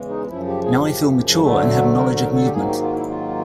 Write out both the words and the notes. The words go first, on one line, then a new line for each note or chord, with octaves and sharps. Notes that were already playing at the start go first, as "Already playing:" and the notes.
Now I feel mature and have knowledge of movement.
Already playing: E2 C#3 E3 G#3
D#4
F#2 C#3 F3 E4
G4
G#4
G4
D2 D3 F#3 A3
A#4
A#4
A4
G4
G#2 D#3 F#3 A#3 G#4
G4
F4
E4
F4